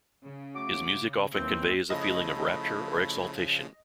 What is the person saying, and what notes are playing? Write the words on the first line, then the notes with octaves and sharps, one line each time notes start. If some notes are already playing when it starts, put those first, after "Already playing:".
His music often conveys a feeling of rapture or exaltation.
C#3
F#3 A3 D6
D#2 E3 F#3 C4
C#3 F3 A3 E4 D#5